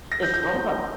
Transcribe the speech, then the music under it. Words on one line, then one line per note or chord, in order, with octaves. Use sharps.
It's all about
A#6
G6
G6